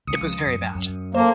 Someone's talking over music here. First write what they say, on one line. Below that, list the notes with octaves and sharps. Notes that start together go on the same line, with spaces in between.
It was very bad.
C#2 C#3 D#6 C#7
F#2
F#2
A#3 A4 C5